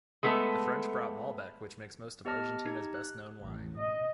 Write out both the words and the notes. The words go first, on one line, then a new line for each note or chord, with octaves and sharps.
The French brought Malbec, which makes most of Argentina's best known wines.
G#3 A3 B3 A4
B3 G4 D#5 A5 F6 A#6
D#4 G4 G#6
F#6
A1
D#5